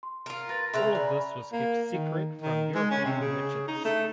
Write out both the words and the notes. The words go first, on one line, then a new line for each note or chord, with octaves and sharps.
All of this was kept secret from European merchants.
C6
F4 A#4
B4 A6 A#6
C#3 B4 E5 A#5 C6 F#6
D5 G#5 B5
A#3
D#3
D#3
G#3
C#4
C3
C#3
D#4
A3